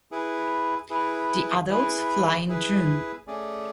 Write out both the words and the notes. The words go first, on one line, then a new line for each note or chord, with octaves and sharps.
The adults fly in June.
E4 G#4 B4
E4 G#4 B4
E4 G#4 B4
E4 G#4 B4
A3 C#4 G#4 D5